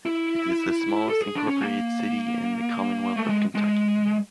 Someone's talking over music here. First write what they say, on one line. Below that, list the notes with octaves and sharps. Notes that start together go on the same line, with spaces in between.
It is the smallest incorporated city in the commonwealth of Kentucky.
E4
A4
G#4
D4
C#4
A#3
A3
G#3
G#3